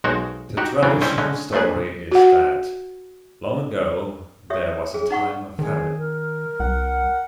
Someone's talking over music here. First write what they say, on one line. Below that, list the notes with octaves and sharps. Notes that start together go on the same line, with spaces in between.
The traditional story is that, long ago, there was a time of famine.
B1 G#3 F#4 A#4 C5
D#4 F#4 G4
C#3 E3 F#3 C4 D4
G3 C#4 E4 C5 D#5
D3 G#3 A3 C#4 D#5
A3 A#3 D4 G#4 B4
F#4 F#5
G4 C#5 E5 D#6
G#4
D#4 F#5 C#6
D#3 G#4
A#4
C2 F#5